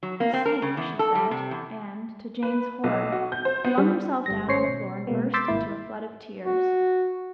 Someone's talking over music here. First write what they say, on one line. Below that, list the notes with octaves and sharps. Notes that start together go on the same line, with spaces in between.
'HE'S safe!' she said, and, to jane's horror, flung herself down on the floor and burst into floods of tears.
F#3
A#3
C4
A#4
C#3
E2
A4
G3
C3
E2
B4
B1
F#4
G6
C5
B3
G3
G1 G3 A#6
G#1 C#4 C5 C#5 C7 C#7
B2
B2 G#3 A#3 B3
C6 D6 E6 G6 A6 B6
G#1 A#3 E4
F#4